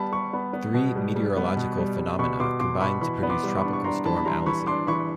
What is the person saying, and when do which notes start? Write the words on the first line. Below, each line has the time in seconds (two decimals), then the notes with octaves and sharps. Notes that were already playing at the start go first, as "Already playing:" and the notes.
Three meteorological phenomena combined to produce Tropical Storm Allison.
Already playing: G3 B3 A5 B5
0.12 G3 B5 C#6
0.33 B3
0.53 B3
0.74 B2
0.96 G3
1.16 G3
1.37 B3
1.57 B2
1.78 G3
1.99 G3
2.19 B2 B5 C#6
2.40 B2 C6 D6
2.60 B2 C6 D6
2.81 B2 B5 C#6
3.01 E3 B5 C#6
3.23 B3
3.29 C6 D6
3.43 G3 D6
3.57 B5 C#6
3.64 D4
3.73 C#6
3.84 D4 A#5 C6
4.05 E3 A5 B5
4.17 B5
4.25 G3 A#5 C6
4.46 E3 B5 C#6
4.67 D4 C6 D6
4.87 E3 B5 C#6